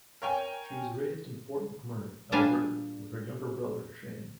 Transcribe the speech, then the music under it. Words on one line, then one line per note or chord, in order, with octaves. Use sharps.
She was raised in Fort McMurray, Alberta, with her younger brother, Shane.
A#4 C#5 G5 G#5
A#2 G3 D4 F5 G#5 A5